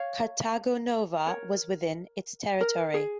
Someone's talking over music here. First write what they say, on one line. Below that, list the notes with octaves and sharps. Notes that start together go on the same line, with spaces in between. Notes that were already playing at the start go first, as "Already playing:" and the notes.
Cartago Nova was within its territory.
Already playing: C#5 F5
A#4 C#5
A#4
G#4